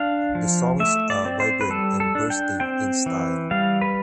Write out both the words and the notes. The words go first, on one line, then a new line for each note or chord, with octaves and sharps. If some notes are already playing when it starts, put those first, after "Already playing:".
The songs are vibrant and bursting in style.
Already playing: D4 F5
F3
A3 E5
D5
C4
C5
B4
G3 A4
A4
D4
G5
C4 G5
E3
G3 F5
B4